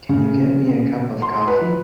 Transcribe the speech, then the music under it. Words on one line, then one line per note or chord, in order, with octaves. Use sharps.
Can you get me a cup of coffee?
C#3
C6
B4